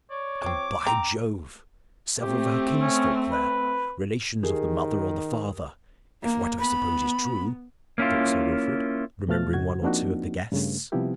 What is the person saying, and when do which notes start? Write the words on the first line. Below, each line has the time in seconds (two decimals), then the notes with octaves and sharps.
"And, by Jove! several of her kinsfolk there, relations of the mother or the father, if what I suppose is true!" thought Sir Wilfrid, remembering one or two of the guests.
0.10 C#5 D5
0.42 F3 C4 D6
0.86 C4 A#5
2.21 A3 C4 G4
2.81 C#4
3.32 B4
4.43 D#3 G4 G#4 A#4
6.22 A#3
6.59 B3 B5
7.98 A#3 C#4 E4 F4
9.28 F2 B2 F3 A3 F6 A6
9.53 C#2 G#2 F#4 G#6
9.82 F3 A#3 C4 D4 D#4 F#4
10.52 G2 C#3 A3
10.92 C3 F3 G3 B3 E4 G4